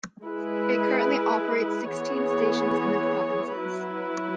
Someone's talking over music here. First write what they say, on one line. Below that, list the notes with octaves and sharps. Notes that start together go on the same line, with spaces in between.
It currently operates sixteen stations in the provinces.
G#3 E4 G#4 B4
E3 B3 G#4 C#5
F#3 E4 B4